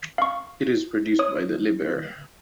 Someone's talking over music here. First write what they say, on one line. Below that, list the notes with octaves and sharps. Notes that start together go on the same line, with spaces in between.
It is produced by the liver.
F5 C#6
C#5 D#6